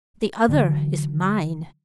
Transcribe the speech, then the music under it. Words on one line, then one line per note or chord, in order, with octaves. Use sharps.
The other is mine.
D3 E3 F#3